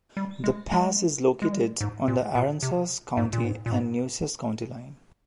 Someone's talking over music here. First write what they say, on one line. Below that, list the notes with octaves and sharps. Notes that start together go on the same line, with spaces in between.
The pass is located on the Aransas County and Nueces County line.
G3
G#3
G#3
G#3
G3
G#2
A#2
A#2
C3
G#2
A#2
G#2
A#2
G#2